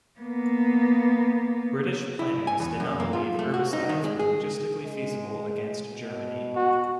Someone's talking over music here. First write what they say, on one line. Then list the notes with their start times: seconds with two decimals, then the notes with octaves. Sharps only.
British planners did not believe herbicides were logistically feasible against Germany.
0.20 A#3 B3
2.19 E4
2.47 G#5
2.60 E2
2.80 F#2
3.00 A#3
3.13 F4
3.39 A3
3.54 F#4
3.73 D#4
3.89 D#3
4.04 G#3
4.19 G#4
4.84 G#3
5.90 B2
6.56 F#4